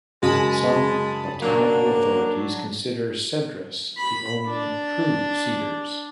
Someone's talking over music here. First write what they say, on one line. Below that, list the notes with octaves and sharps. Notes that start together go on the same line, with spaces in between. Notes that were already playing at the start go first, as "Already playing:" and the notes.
Some botanical authorities consider "Cedrus" the only "true cedars".
F#2 C#3 G#3 A5 B5 D#6
F#3 A#3 D4
B5
D4 D5